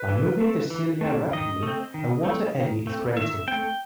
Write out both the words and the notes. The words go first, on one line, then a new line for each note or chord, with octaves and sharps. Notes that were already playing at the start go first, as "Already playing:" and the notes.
By moving their cilia rapidly, a water eddy is created.
Already playing: B4
E3
A3 C4
E3
A3 C4
D#3 D#5
A3 C4
D#3
A3 C4
D#3
A3 C4
D#3 E5
A3 C4 G5